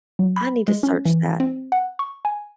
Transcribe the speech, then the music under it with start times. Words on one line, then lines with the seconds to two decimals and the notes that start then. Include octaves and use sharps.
I need to search that.
0.19 F#3
0.37 B5
0.68 G#3
0.83 C#4
1.05 E3
1.40 C4
1.72 F#5
1.99 C#6
2.25 G#5